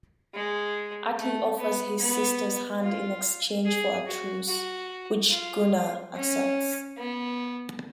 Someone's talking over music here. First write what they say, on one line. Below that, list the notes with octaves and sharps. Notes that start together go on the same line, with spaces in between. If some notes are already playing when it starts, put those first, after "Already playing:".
Atli offers his sister's hand in exchange for a truce, which Gunnar accepts.
G#3
A3
B3
B3
F4
G#4
F#4
F#4
F4
C#4
B3